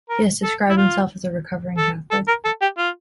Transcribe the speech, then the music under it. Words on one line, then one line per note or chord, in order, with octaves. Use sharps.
He has described himself as a recovering Catholic.
A#4
A4
E4
F4
A4
A4
A#4
A4
G4
F4